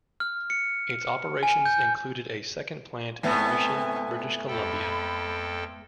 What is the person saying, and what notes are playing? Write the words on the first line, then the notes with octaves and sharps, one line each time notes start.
Its operations included a second plant in Mission, British Columbia.
F6
C#7
G#5
G6
G#2 A3 B3 C4 G#5
F2 A4 G5 B5